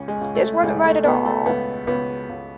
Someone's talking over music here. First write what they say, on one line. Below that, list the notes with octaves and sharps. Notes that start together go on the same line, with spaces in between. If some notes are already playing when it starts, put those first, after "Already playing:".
This wasn’t right at all.
Already playing: C#2 C#4
G#3
C#2
A3
C#2 G#3
A3
B2 B3
A3
C#2 B3
C#2 B3
C#2